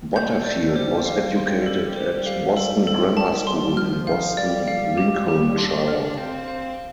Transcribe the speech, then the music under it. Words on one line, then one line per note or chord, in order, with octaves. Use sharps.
Butterfield was educated at Boston Grammar School in Boston, Lincolnshire.
A3 G6
D5
G3 C5
F5
G3 C6
A4
C5
F5
A4
A4
A5
C6
F3 F6
F5
G3 D5
F5
G4
G4
D4 C6
F6
C4 F5
F5